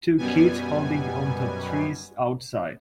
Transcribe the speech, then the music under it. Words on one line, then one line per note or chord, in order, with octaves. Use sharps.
Two kids holding onto trees outside.
F#2 B2 G3 B3 G#5